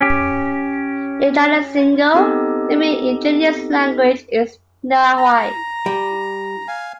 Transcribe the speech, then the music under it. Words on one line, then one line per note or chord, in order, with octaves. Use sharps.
In Jalacingo the main indigenous language is Nahuatl.
C#4 G4
B3 C4 D#4 G4 A4 D#5
A#5
G3
F5 G#5